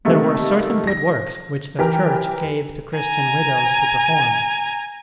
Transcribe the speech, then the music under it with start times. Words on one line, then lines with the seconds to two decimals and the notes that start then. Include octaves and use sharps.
There were certain good works which the Church gave to Christian widows to perform.
0.05 C3 D#3 G3 A3 A#3
0.87 A#6
1.79 E3 G4 A#4
2.96 G#5 A#5